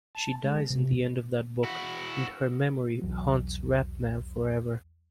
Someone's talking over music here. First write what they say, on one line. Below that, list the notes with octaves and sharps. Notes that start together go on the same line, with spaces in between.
She dies in the end of that book, and her memory haunts Rat-Man forever.
A5
G#3
C3
E4 F#4
B1 E2 F#3